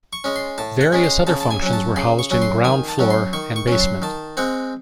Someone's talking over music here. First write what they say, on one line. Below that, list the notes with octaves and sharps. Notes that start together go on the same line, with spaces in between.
Various other functions were housed in ground floor and basement.
C#6
G#3 C#4
C6
A2 A5
F#5
G#3 C#4
C6
C#3 A5
A5
G#5
F#3 C#4
A5
C#3 C6
C#6
F#3 C#4
C6
D#3 G#5
A5
F#3 C#4
C6
D#3 C#6
C#6
F#3 C#4
C6
D#3 A5
G#3 C4 F#5